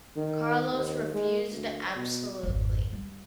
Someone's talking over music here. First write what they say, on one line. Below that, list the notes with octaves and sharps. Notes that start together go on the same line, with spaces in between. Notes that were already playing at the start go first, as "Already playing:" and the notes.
Carlos refused absolutely.
D#3
D#2
G#3
D2
B2
G#1 F2
G3